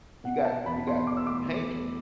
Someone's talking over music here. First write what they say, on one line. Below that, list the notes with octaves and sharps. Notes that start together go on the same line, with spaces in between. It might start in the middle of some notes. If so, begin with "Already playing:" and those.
you got you got Hank
B2 F#5
B2 A5
E2 B5
B2 C6
E2 D6
E6
A3 D6
A3
E2